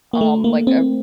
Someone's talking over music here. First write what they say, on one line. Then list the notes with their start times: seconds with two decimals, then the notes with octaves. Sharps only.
um, like,
0.13 A#3
0.21 A3
0.44 A#3
0.67 C4